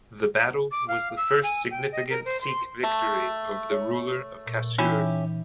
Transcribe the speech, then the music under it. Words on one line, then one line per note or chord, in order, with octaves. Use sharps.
The battle was the first significant Sikh victory over the ruler of Kasur.
D6
F5
E6
G#5
G5
D#5
A#4
C5
C6
A3
C#5
A#2
E3 C#4 D#4 E4 G4